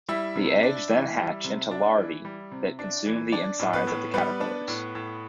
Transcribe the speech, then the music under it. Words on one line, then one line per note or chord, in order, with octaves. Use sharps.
The eggs then hatch into larvae that consume the insides of the caterpillars.
G3 E4 E5
C3
D4
E3
G3
C3
D4
E3
G3
C3
D4
E3
D4 D5
A2
B3 B4
A2
G3 B3 B4
D4
A2
A2